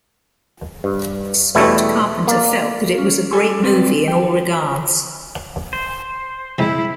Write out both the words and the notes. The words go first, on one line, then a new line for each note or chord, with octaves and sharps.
Scott Carpenter felt that it was a "great movie in all regards".
G2
E2 B2 G3 A3 E4
A#3 D5
C#4
G3 A4 G#5
G3 C4 G4 B4 D5
G5
C5
C3 G#3 E4